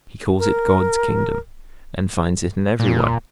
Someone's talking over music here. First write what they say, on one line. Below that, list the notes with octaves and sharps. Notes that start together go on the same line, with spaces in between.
He calls it 'God's Kingdom,' and finds it in every one.
A#4
A#2